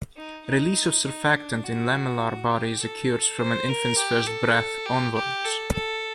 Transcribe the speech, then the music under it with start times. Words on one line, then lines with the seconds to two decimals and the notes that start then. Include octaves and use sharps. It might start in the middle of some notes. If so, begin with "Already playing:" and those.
Release of surfactant in lamellar bodies occurs from an infant's first breath onwards.
0.16 D#4
0.46 D#4
1.04 D#4
1.34 D4
1.63 F#4
2.51 G4
2.80 A4
3.39 C5
3.68 A#4
3.97 G4
4.26 A4
4.85 G4
5.15 G4
5.44 A4
5.73 A4